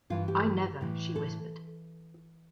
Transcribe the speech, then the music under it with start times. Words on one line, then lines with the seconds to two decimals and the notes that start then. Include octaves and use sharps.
"I never," she whispered.
0.10 G2 E3 F4
0.28 G4
0.81 A2 E3
1.16 A4